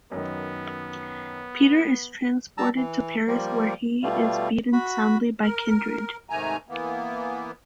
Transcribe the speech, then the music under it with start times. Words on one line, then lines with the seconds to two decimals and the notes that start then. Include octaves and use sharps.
Peter is transported to Paris where he is beaten soundly by Kindred.
0.11 F#2 D#3 B3
2.58 G3 A5 A#5 E6
2.76 E3
3.28 F3 G3 A#3
4.03 B2 G3 A3 F4
4.73 F#4 B5
5.42 A#4
6.30 G#2 C3 D#3 A3 G#5 A#5
6.69 E3 A#3 B3